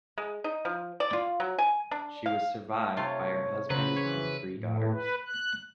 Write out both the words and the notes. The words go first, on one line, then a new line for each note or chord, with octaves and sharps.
She was survived by her husband and three daughters.
G#3
D#4
F3
D5
F4
F#3
G#5
D4
F5
A3
C3 A3 F4 C#5
C#3 F#3 B4 C5
E3 C#5
A2
B4
F#6